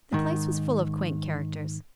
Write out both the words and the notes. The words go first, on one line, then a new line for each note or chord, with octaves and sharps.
The place was full of quaint characters.
G#2 D#3